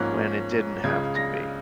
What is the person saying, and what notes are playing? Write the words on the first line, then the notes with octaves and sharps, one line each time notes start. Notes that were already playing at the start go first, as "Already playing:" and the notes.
when it didn't have to be.
Already playing: G#2 F3 A#3 C#4 F#6
C#2 C#3 G#3 G#6
A#6